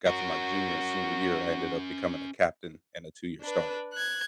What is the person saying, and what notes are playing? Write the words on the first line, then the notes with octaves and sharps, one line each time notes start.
got to my junior and senior year, I ended up becoming a captain and a two-year starter.
C#4 F#4 A#4
D4 B4
F#6 G#6